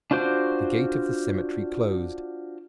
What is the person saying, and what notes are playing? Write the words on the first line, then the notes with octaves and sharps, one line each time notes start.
The gate of the cemetery closed.
D4 F4 F#4 C5 D6